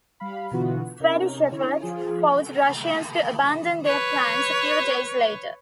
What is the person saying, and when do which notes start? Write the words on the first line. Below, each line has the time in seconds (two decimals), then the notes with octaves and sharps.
Swedish efforts forced Russians to abandon their plans few days later.
0.20 G3 F5 B5
0.51 B2 D3 E3 B3 F4 F#4
1.00 C3 C#4 D#4 A#4
1.52 D3 C#4 E4 C#5
1.82 F3 F4 G#4
3.85 B4 C#5